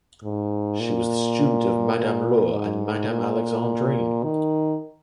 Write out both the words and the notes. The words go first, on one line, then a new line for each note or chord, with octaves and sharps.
She was the student of Madame Laure and Madame Alexandrine.
G#2
A#2
A#2
G#2
A#2
D#3